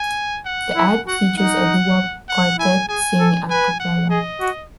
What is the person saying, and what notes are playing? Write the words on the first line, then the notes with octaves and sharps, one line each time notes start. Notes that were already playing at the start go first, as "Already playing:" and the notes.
The ad features a doo-wop quartet singing a cappella.
Already playing: G#5
F#5
E4
F#4 F#5
D#4 F#5
F#5
E4 G#5
G#4 G#5
A4
B4 G#5
F#5
G#4 D#5
F#4